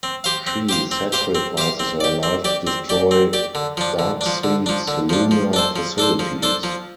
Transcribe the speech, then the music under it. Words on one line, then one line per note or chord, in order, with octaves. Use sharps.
She sacrifices her life to destroy Darkseid's lunar facilities.
C4
G4 C5 F5
C4
G4 C5 F5
C4
G4 C5 F5
C4
G4 C5 F5
C4
G4 D5
C4
G4 D5
C4
G4 D5
C4
G4 D5
D3
F3 D4
D3
F3 D4
D3
F3 D4
D3
F3 D4
F3
D4 A4 C5
F3
D4 A4 C5
F3
D4 A4 C5
F3